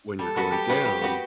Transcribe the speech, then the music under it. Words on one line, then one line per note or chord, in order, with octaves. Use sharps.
When you're going down,
G3 A4
B3 F#4 B4
G3 G4
B3 F#4 B4
G3
B3 F#4 B4